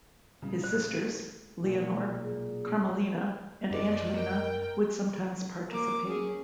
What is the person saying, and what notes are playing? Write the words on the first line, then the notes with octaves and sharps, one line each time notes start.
His sisters, Leonor, Carmelina and Angelina would sometimes participate.
A#2 C#3 F#3 G3
C5
B1 A#2
G#4
F#2 G#3 D5 D#5
A#4 G5
A#3 D6
C#4 G#4